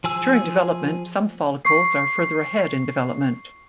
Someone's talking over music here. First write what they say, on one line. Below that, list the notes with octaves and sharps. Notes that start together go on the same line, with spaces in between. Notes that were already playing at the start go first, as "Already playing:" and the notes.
During development some follicles are further ahead in development.
F3 G#4 G#5 E6
C#6 C7